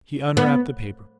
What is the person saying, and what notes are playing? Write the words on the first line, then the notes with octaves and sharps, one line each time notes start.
He unwrapped the paper.
B3